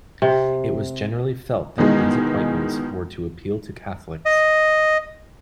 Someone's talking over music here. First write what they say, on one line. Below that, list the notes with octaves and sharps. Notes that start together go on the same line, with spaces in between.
It was generally felt that these appointments were to appeal to Catholics.
C3
B2 D#3 E3 G#3
D#5